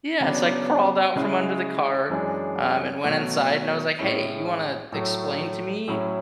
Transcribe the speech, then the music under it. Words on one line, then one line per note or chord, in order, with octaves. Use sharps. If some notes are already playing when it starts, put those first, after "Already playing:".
Yeah, so, I crawled out from under the car, um, and went inside, and I was, like, "Hey, you wanna explain to me,
C#3 F#3 B3 D4
C#3 G#3 C#4 E4
F#2 E3 G#3 D4
B2 F#3 A3
A2 G#3 C#4 E4
A2 F#3 A3
A2 F#3 C#4 E4